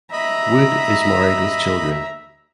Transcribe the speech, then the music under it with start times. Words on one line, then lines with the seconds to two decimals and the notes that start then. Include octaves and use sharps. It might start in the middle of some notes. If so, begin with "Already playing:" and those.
Wood is married with children.
0.12 D#5 E5 A#5 B5